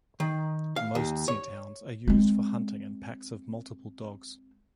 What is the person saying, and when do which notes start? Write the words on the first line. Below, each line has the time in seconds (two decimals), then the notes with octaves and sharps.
Most scent hounds are used for hunting in packs of multiple dogs.
0.20 D#3
0.76 F5
0.95 D#2
1.28 C#5
2.08 G#3 C4